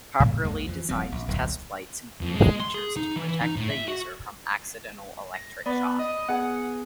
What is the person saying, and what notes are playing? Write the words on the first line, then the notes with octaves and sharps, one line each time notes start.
Properly designed test lights include features to protect the user from accidental electric shock.
A2 C#3 G3 A#3
B1 F2 G#3 A#3
E3 F3
E1 F3 G3 C4
A#1
D1 B1 E2 A#2
F2
G#3
C6
G#4
D#4
E3
E3
D#4
A2
E5
F#4
A#6
B3 D5 B5
D#5
B3 G#4 F#5 G#5